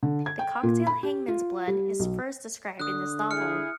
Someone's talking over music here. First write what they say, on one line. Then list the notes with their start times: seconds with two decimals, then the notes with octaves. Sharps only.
The cocktail Hangman's Blood is first described in this novel.
0.03 D3
0.26 G#6
0.39 G5
0.63 A#2
0.87 B5
1.03 G4
1.28 F4
1.67 G3
2.00 B1
2.80 D3 D#6 F#6
3.31 E4 G#4 F6 C#7